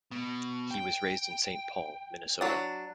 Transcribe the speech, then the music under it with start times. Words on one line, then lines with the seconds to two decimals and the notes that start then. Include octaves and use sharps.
He was raised in Saint Paul, Minnesota.
0.11 B2
0.71 G5
2.41 F#3 D4